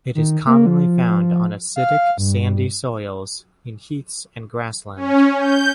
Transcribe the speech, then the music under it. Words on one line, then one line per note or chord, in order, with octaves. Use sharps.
It is commonly found on acidic, sandy soils in heaths and grassland.
D#3
A#3
F3
F5
G2
C#4
G6